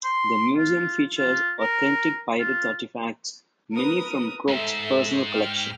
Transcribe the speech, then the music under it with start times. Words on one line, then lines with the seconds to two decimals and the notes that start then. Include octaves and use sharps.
The museum features authentic pirate artifacts, many from Croce's personal collection.
0.04 C6
0.58 F4
1.18 F4
1.60 A#4
2.40 F4
3.75 A#4 B4 D#6
4.48 G#2 A4 E5
5.31 G5 F6